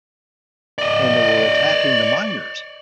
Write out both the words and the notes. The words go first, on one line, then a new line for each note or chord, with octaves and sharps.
and they were attacking the miners.
D5 D#5